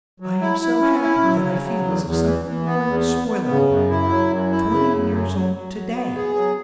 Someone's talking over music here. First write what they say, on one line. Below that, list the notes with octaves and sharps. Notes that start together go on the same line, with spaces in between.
I am so happy that I feel as if something were going to spoil it all. Twenty years old to-day!
F#3
E4
E4
C#4
E4
F#3
C#3
F#3
E2
E2
E3
E3
B3
E2
B3
B3
C#3
F#2
E4
F#3
F#2
E4
C#3
F#2
F#3
F#3
F#3
F#3
B3
G#4
F#3